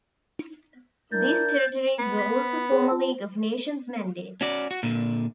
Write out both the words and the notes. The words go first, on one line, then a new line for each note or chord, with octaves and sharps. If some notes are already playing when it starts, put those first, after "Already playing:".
These territories were also former League of Nations mandates.
D4 E4 A#4 G6 A6
B3
B6
G#4 C#5
F4 A5
C#4 F#4 D5
F#4
A#2 D3